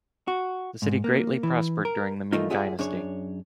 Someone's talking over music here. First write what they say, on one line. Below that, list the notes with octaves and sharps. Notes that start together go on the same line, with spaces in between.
The city greatly prospered during the Ming Dynasty.
F#4
G#2
A#3
E3
A#4
E3 F3 A3 A#3 D#4 F4
F4 G4 G#4 D5 E5 F#5
F#2 D4 G#4 C#5